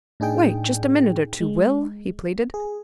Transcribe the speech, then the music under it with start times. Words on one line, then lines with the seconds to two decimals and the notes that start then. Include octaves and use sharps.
"Wait just a minute or two, Will," he pleaded.
0.20 A2 D4 D#4 G#4 G5
1.41 G#3
2.54 G#4